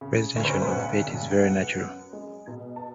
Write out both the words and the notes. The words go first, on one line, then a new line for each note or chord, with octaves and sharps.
Presentation of bait is very natural.
C#3
D2 C#5
C5
B4
C5
B1 F#5
B1
G5
B3 F#5
F#2
G#3
B2
A5